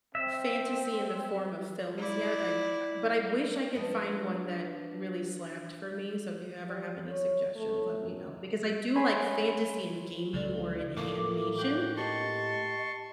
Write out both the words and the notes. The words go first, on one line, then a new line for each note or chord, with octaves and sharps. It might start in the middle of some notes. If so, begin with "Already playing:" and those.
fantasy in the form of films yet, I've but I wish I could find one that really slapped for me. So if you ever have any suggestions, let me know. Because I do like fantasy in gaming or in animation,
C4 E5
E4 D5
F3 D4 B4 D#5
G3
C#5
A3
F#2
C#5 G#5 B5 C6
C#2 D3 D5
A2 A3 A#3 D6
F#4 G5
G4 D#5 A5 C6 C#6